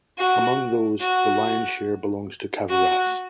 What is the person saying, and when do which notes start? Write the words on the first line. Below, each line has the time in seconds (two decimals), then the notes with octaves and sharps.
Among those, the lion's share belongs to Kavouras.
0.18 F#4
1.01 F#4
2.69 F#4